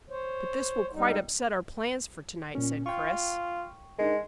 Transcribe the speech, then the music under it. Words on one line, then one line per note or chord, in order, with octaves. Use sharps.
"But this will quite upset our plans for to-night," said Chris.
C5 C#5
G2 G3 D#4
A#2 C#4
F4 G5 C#6
G#3 D4 D#4 A#4